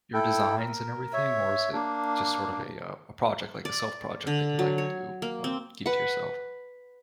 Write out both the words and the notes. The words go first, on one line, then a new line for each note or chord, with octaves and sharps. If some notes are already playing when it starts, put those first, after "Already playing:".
your designs and everything? Or is it just sort of a, uh a project like, a self project that you like to do or keep to yourself?
E4 A4 G5
A#4
C#5 E5
A#3 D4
D5
D3
F#3
C#5
A#3
C4
B4 F#5